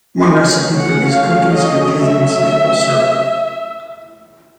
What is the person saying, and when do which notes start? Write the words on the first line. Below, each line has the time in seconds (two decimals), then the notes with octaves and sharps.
One recipe for these cookies contains maple syrup.
0.17 F#3 A3 C#4 G#5
0.78 F#5
1.09 F5
1.55 D#5
2.01 E5